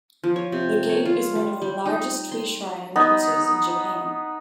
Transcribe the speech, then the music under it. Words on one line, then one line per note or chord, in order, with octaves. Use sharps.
The gate is one of the largest three shrine entrances in Japan.
F3
C#5
C3
C#5
F4
G3
G3
D#4
C6
B3 D#4